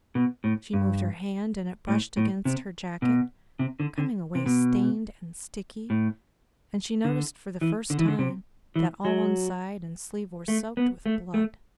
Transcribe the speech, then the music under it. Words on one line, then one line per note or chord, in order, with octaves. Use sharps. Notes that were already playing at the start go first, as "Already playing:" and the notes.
She moved her hand and it brushed against her jacket, coming away stained and sticky, and she noticed for the first time that all one side and sleeve were soaked with blood.
B2
A2
G2
A2
A2
C3
B2
C3
D3
D3
C3
B2
A2
D3
E3
D3
E3
D3
C3
E3
F#3
A3
B3
A3
A3